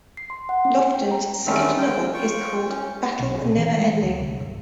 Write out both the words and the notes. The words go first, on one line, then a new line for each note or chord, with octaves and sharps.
Lofton's second novel is called "Battle Neverending".
C7
C6
F#5
C#4
G5
A#5
E2 D#3 G3 A3 C4 C#4
G#3 G5
F4 G5 C#6
C#4
B1
A#2
E3
G#3
D2
C2
G1